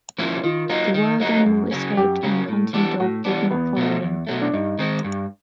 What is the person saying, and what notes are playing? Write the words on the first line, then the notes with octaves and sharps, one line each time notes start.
The wild animal escaped and the hunting dog did not follow him.
F3 A#3 C#4 E4
D#3 F4
F#3 A#3 D#4
D#3
F#3 A#3 D#4
F#2
C#3 F#3 A#3 C#4
F#2 G4
C#3 F#3 A#3 C#4
A2
E3 G3 B3 D4
A2 F#4
E3 G3 B3 D4
E2 B3
B2 F#3 A3
E2
B2 F#3 A3
D4
G2 D#4
D#3 G#3 C4
G2